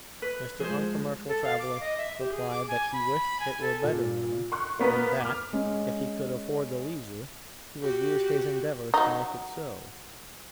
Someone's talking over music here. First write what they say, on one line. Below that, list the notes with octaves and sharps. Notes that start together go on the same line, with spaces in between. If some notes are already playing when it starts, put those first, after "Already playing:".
Mr. Uncommercial Traveller replied that he wished it were better known, and that, if he could afford the leisure, he would use his endeavours to make it so.
B4
F3 G#3 G#4 C5
A4
F5
D6
D#5
E5
G4
G#4
D6
G#5
B5
G#5
A4
A#2
C6 C#6 F#6
A#3 B3 A#4
D6 F6
G#3 C#4
F#4 G4
F#3 D#4